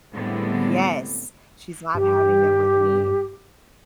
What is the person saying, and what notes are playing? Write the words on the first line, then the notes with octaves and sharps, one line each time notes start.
Yes. She's not having them with me.
A2 D3 G3 G#3 B3 C4
G2 G4